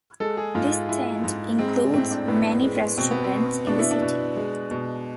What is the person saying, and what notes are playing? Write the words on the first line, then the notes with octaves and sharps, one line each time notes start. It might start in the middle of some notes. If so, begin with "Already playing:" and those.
This tent includes many restaurants in the city.
G#3 A4
G#4
G#2 F4
F4
G#3 E4
G#2
G#3 C4
A2 C4
D4
A2 B3
G#3
B2 C4
B3
C4
B2
B2 D4
E4
D4
B2
G#3
B2